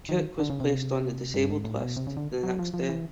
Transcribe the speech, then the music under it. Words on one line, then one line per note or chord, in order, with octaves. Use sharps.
Cook was placed on the disabled list the next day.
D#3
D3
C#3
C3
G2
G#2
A2
B2
C3
C#3
D3
F#3
F3
F3
E3